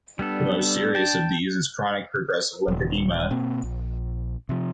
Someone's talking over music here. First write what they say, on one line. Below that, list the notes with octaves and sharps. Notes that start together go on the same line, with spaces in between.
The most serious of these is chronic progressive lymphedema.
G3 B3 D4 A4
G5 A5
D#1
B2 A#3 C4
A#1
C3 F3